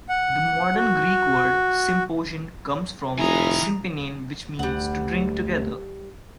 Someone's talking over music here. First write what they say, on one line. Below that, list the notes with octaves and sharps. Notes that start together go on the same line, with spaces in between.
The modern Greek word "symposion" comes from "sympinein", which means "to drink together".
F#5
F#4
F1 D#3 E4 G#5 A#5 D#6
D2 G3 F#5